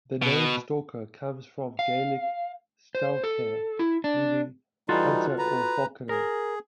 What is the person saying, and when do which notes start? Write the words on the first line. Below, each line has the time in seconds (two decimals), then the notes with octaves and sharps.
The name "Stalker" comes from the Gaelic "Stalcaire", meaning "hunter" or "falconer".
0.22 B2
1.79 F5
2.95 C5
3.24 A4
3.79 E4
4.04 D4
4.89 E3 G3 D#4 F4 F#4 A4
5.38 B4 A#5
6.09 G#4 A#4